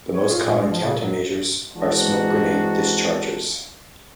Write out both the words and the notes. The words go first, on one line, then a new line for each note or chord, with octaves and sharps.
The most common countermeasures are smoke grenade dischargers.
C#5
F4
A#2
G#3
F3
C#3
F#3
E3 G#3 C4 D4 D#4 F#4